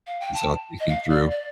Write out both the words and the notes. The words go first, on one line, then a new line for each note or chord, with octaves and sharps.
it's all thinking through,
F5
G5
A5
D#5
F5
D5
D5